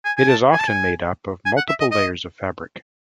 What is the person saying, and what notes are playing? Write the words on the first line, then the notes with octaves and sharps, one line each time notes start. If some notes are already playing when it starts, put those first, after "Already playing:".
It is often made up of multiple layers of fabric.
G#5
G#5
A5
G#5
A5
G#5
G#5
F#5
E5
D#5
D#5